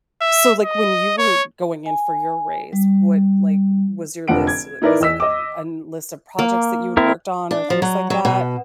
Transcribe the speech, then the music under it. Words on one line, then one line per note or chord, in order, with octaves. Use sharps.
So, like, when you were going in for your raise, what, like, was your list, uh was it an list of projects that you had worked on, or things like that?
E5
D#5
C#5
G#5
G3
F1 D3 F3 F#5 D7
G#6
D#4 E4 A#4 B4 D5
E2 D#5 E6 B6
D#5 D6
A#3
C4 E4 A#4
D4
F3
F#3
F#3
B2